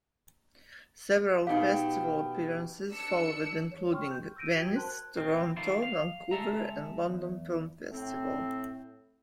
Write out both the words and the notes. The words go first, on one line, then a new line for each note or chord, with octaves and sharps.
Several festival appearances followed including Venice, Toronto, Vancouver, and London Film Festival.
B2 D#4 G4 F5
D4 E6 C#7
C#5
G5 C6 C#6 F6
G6
E6 G6 A#6 D7 D#7
F#4 G5 G#6 F#7 G7
A#4 C5 A5 C6 F#6
A#2 C4
D#3 E3 D4 E4 F4 G4
F5
C#2 G#3 A4 E5 A#5
E2
A2 C4